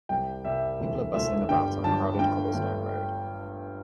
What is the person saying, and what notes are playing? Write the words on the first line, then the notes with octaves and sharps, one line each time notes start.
People are bustling about on a crowded cobblestone road.
C2 C3 G3 G5
C2 C3 G3 E5
E1 D2 C3 E3 A3
E1 D2 C3 E3 A3 E5
G1 G2 D3 G3 G5
G1 G2 D3 G3 A5
G1 G2 D3 A3 G5
G1 G2 D3 A3